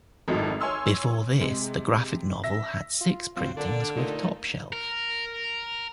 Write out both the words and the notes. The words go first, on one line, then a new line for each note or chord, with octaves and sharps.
Before this, the graphic novel had six printings with Top Shelf.
G#1 F2 A2 F#3 D#4
C#5 G#5 C6 E6 F6
C3 G#3
E5 A#6
F4
F#3 C4 F4
A#2 D3 D4
A#2 A3 D#4
A#4